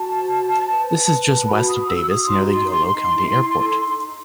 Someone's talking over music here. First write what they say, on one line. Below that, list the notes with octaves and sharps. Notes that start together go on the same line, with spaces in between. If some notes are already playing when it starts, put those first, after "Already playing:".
This is just west of Davis near the Yolo County Airport.
Already playing: F#4 A5
C5
C5
B4
B4
B4
F#4 B5
D#6
F#4
E6
F#4
D#6
D#4 C6
D#4
D#4
E4
E4
A4
D#4